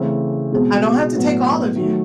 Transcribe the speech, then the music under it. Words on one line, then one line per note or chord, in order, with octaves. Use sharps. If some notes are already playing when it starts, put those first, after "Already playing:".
"I don't have to take all of you,
Already playing: C#3 E3 A3 C4
B2 G#3 C4
A2 F#3 B3
D#3 F#3 A3